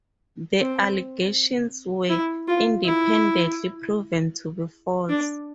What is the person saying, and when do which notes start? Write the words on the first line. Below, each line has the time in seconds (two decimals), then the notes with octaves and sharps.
The allegations were independently proven to be false.
0.60 C4
2.09 E4
2.48 F4
2.85 E4
5.09 D4